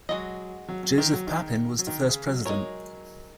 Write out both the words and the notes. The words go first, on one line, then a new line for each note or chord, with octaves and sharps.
Joseph Papin was the first president.
F#3 G#3 F#4 D#5
F#3
F#3
D#3
F#3
D#3
F#3
D#3
C#3
F#3
G#3 D#4 A#4 C#5